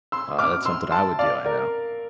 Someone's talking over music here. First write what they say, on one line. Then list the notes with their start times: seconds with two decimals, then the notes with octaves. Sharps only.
Uh, that's something I would do, I know.
0.12 C6 E6
0.39 D6 F6
0.65 C6 E6
0.91 A5 C6
1.19 D5 F5
1.45 A#4 D5